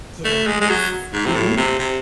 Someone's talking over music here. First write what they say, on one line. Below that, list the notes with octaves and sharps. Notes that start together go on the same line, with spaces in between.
Yes. Mhm.
A3
G#3
G#3
F#3
G#2
C3
A2
C3
C3